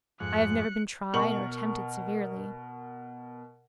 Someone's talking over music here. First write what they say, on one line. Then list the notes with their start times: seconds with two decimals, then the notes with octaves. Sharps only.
I have never been tried or tempted severely.
0.20 F2 G#2 F#6 C#7
1.14 B2 A#4 C#6 F#7